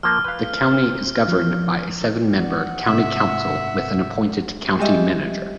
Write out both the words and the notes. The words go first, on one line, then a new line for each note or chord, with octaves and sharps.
The county is governed by a seven-member county council with an appointed county manager.
F3 A#3 F6
B4 F5
F3
E3 D5 F#5
G#2 C3 G#3 E5
G3 G#3 G4 D#5 E5